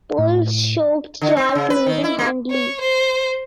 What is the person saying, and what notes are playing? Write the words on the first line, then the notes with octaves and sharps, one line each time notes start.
Polls showed Clark losing handily.
A2
D3
C4
C#3
B4
D#3
E4
A#3
C#5
C5